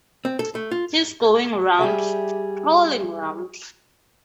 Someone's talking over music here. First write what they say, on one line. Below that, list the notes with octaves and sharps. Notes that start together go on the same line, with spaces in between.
He's going round — prowling round.
C4
A4
A3
F4
G3 G4 G#4 E5